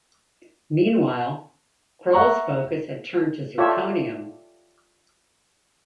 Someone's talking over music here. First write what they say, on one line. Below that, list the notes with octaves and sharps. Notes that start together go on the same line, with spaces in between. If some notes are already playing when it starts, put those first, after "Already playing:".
Meanwhile, Kroll's focus had turned to zirconium.
E5 F#5 A#5 C#6
F4 G4 A4 C#5 D5 E5